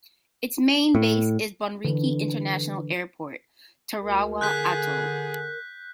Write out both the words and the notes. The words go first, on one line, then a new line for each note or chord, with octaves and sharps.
Its main base is Bonriki International Airport, Tarawa Atoll.
A2
D3 E3
D2 A#4
D3 G#4 F#6 G6 B6